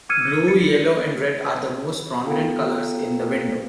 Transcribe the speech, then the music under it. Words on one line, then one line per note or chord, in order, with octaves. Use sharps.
Blue, yellow and red are the most prominent colours in the window.
D6 E6 F6 G#6 C#7 D#7
A6 C#7
B3 F4 A4 F5 G5 A#5